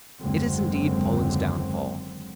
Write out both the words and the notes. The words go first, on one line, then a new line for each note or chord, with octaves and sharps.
It is indeed Poland's downfall.
F#1 D#2 D3 F#3 G#3 C4